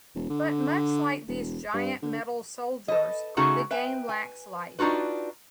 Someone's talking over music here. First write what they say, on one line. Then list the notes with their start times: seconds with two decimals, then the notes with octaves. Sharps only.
But much like these giant metal 'soldiers,' the game lacks life.
0.15 E1
0.30 D3
1.28 E1
1.74 G2
2.02 D3
2.88 A4 B4 D#5
3.37 C#3 A3 D#4 F#4 G#4 A4
3.71 B4 E5 G5 G#5
4.09 G#5
4.79 D4 D#4 F4 F#4 B4